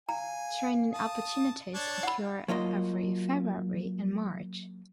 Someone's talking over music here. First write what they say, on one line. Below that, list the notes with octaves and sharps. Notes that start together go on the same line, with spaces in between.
Training opportunities occur every February and March.
F5 G#5 A#5
A5 D#6
D4 C#5 A5
F#5 B5
F#3 A#3 F4 D#5